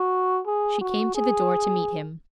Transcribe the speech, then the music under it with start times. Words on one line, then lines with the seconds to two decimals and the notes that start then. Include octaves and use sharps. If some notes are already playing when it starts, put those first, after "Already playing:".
She came to the door to meet him.
Already playing: F#4
0.47 G#4
0.81 F#4
1.15 G#4